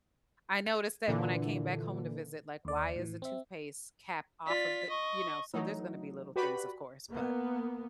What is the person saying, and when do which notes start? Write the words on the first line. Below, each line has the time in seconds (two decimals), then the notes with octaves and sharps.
I noticed that when I came back home to visit, like, why is the toothpaste cap off of the you know, so there's gonna be little things, of course, but
1.08 A#2 D3 E3
2.65 D#2 D5
2.96 A2 E3
3.22 C4 E5
4.46 F4 D5 B6
4.89 D#5 C#6
5.54 E3 F#3 A3 D#4
6.36 F#4 G4 B4 D5 B5
7.09 A#3 B3